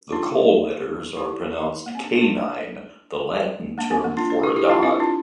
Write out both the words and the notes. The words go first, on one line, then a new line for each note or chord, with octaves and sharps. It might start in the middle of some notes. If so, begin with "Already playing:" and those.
The call letters are pronounced "canine", the Latin term for a dog.
D4 F4
E4 G4
A#3
C4
D4
E4
D4 F4
A#3 D4
C4
A#3
D4 F4
D4 F4
E4 G4
E4 G4
D4 F4
C4 E4
D4 F4